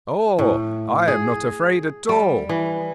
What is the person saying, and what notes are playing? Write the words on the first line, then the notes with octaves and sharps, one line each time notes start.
'Oh, I am not afraid at all!'
A2
G#4
G3
E3